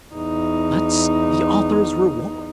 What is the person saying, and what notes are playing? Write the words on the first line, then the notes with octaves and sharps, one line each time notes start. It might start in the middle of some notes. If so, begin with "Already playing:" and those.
That's the author's reward.
E2 D#4